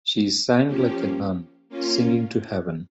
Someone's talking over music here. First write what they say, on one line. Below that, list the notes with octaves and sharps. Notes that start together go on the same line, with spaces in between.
She sang like a nun singing to heaven.
F3 A#3 C#4 G4
A#3 C#4 F4